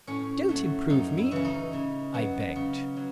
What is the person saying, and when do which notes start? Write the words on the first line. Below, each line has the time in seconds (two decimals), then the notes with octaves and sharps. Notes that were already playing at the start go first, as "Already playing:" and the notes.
"Don't improve me," I begged.
0.07 A2 C#4
0.49 F#3 A3
0.90 F#2 D#4
1.18 E4
1.31 C#3 E3 C#4
1.45 D#4
1.73 C#3
2.14 F#3 B3
2.56 C#3
2.96 F#3